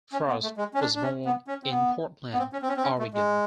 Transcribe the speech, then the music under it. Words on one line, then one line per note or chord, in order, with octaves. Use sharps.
Frost was born in Portland, Oregon.
C#4
B3
A3
G#3
C#4
D4
D4
C#4
B3
C#4
C4
B3
B3
C4
C#4
C4
C#4
C4
C#4
A3
G#3